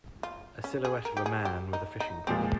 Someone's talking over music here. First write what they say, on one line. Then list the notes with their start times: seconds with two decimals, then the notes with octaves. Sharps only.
A silhouette of a man with a fishing pole.
0.23 F4
0.64 C#4
0.85 G#4
1.05 A#4
1.17 G4
1.26 G#4
1.45 G4
1.73 D#4
2.00 D#4
2.27 A#2 F3 G#3 C4